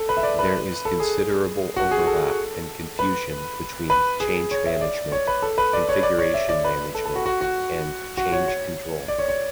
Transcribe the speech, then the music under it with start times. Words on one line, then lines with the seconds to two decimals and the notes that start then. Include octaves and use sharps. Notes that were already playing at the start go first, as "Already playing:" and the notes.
There is considerable overlap and confusion between change management, configuration management and change control.
Already playing: A4
0.09 B4
0.17 E5
0.23 D5
0.39 B4
0.85 A4
1.00 G#4
1.76 F#4
1.91 G#4
2.07 A4
2.99 B4
3.90 B4
4.20 G#4
4.51 C#5
4.66 E5
4.81 D5
5.12 C#5
5.27 B4
5.42 A4
5.58 B4
5.73 D5
5.89 C#5
6.03 D5
6.18 C#5
6.34 E5
6.49 D5
6.64 B4
6.95 A4
7.05 A4
7.16 F#4
7.26 F#4
7.41 F#4
8.17 F#4
8.32 C#5
8.48 C#5
9.08 D5
9.19 C#5
9.29 C#5